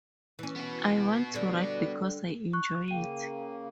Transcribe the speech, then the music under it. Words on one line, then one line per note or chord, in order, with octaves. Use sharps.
I want to write because I enjoy it.
E3 C#4
B3 F#4
D3 G3
C#6 F#6
C#3 A#3 G5 D#7